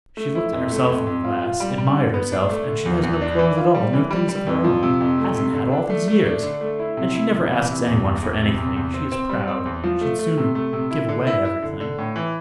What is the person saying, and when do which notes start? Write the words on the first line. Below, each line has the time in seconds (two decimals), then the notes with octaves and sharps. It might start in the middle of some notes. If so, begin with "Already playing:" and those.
She looked at herself in the glass, admired herself, and she has no clothes at all, no things of her own, hasn't had all these years! And she never asks anyone for anything; she is proud, she'd sooner give away everything.
0.17 A3
0.35 E4
0.53 F2
0.71 A3
0.89 F2
1.07 F2
1.24 F4
1.42 F4
1.60 G3
1.78 G3
1.96 D3
2.14 B3
2.32 D4
2.50 A3
2.67 D3
2.86 E2
3.03 E2
3.22 D4
3.39 E3
3.58 F4
3.74 G3
3.93 E3
4.11 G3
4.29 G3
4.47 F2
4.64 F3
4.83 C3
5.00 F2
5.18 A3
5.36 C3
5.53 D3
5.72 D4
5.90 A3
6.08 A3
6.26 D4
6.43 D3
6.61 A3
6.79 E4
6.97 C3
7.15 E4
7.33 C3
7.51 E3
7.69 C3
7.86 E2
8.05 E2
8.22 E2
8.41 C3
8.58 C3
8.76 E2
8.94 C4
9.12 C4
9.29 G3
9.48 C4
9.66 E2
9.84 F3
10.01 A3
10.19 A3
10.37 C3
10.55 A3
10.73 C3
10.91 E4
11.08 D3
11.27 E4
11.45 E4
11.62 D3
11.80 D3
11.98 A2
12.16 E3